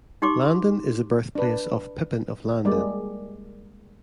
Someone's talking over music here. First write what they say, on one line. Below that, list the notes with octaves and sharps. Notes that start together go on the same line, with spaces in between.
Landen is the birthplace of Pippin of Landen.
D#4 G4 C6 D6
D4 B4
G3 G#3 A#3 D5